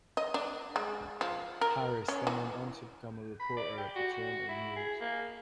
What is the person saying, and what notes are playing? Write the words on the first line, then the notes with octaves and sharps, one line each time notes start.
Harris then went on to become a reporter at the "Toronto News".
D#5
D4
G#3
F3
A#4
C#4
E3
B5
D5
G4
F#4
F#4
E4
G#4
A#3